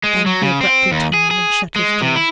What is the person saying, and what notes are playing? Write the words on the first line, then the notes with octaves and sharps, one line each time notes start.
Then he abruptly turned and shut his door.
G#3
F#3
C#3
C4
D#2
G#4
G#4
G#3
C3
E4